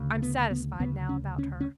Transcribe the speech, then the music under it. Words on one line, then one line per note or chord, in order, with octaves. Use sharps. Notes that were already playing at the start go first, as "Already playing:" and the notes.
I'm satisfied now, about her.
Already playing: D2 C#3
B3
B3
D2 C#3 B3
C#4
C#4
C#4